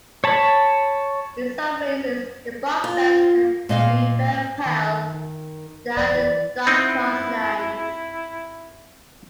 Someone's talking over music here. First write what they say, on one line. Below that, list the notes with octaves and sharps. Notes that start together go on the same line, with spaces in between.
In some races the buff bands can be very pale.There are dark crosslines.
C#5 A5 B5
F4
A#2 D#5 F5
D#3
D#3
F1 D5
E3
C4 D#4 E4